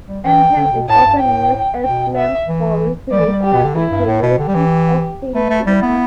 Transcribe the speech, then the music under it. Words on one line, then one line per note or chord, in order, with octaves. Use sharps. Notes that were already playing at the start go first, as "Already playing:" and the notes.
Anpan is often used as slang for recreational inhalation of paint thinner.
G3
E3 G5
D3
B2
A2 A5
G2
A2 G5
B2 G5
E5
E3
G3 D5
E3
G3
G4
B2
D3
E3 E4
G2
A2
B2
D3 G4
G3
E3
A3 B4
A3
G3 E4
B3